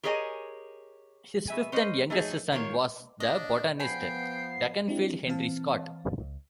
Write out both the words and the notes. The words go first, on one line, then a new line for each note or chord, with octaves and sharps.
His fifth and youngest son was the botanist Dukinfield Henry Scott.
G4 G#4 A#4 C#5 D#5 G#5
B2 E5 G#5
C#4 C5 D#5
A3 D#4 G#4
D#3 A#3 F4 G4 C#5
D4 D#5
F3 B3 G5 G#5 B5 C7
C4 D4 E4 G4
E3 C4 F5 A5
C#2